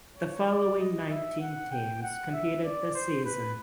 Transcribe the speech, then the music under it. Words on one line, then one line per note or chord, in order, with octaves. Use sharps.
The following nineteen teams competed this season.
C#5
D5
D#5
E5
F#5
G5
F#5
E5
D5
C5
B4